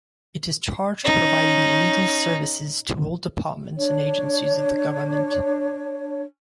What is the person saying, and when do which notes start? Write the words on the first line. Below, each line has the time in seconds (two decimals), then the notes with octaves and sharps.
It is charged providing legal services to all departments and agencies of the government.
1.04 C#4 D#4
3.77 D4 C#5